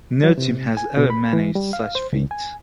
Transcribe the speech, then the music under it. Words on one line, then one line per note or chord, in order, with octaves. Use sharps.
No team has ever managed such feat.
F#3
C3
G#5
B2
B5
E3
G3
F5
C5
C#2
G#5